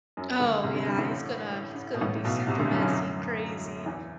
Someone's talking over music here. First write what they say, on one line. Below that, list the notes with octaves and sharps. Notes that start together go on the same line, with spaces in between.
Oh, yeah, he's gonna he's gonna be super messy and crazy.
F#2 F#3
D2 D3
C2 C3
G2
G2
A1 A2
B2
A1 A2
A2
B1 B2
C2 C3
D2 D3
F#2 F#3
F#2 F#3
F#2 F#3
E2 E3